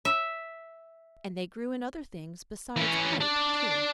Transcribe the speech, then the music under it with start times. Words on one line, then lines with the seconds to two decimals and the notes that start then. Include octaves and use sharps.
And they grew in other things besides height, too.
0.05 E5
2.77 E3 C#4
3.21 D4 D5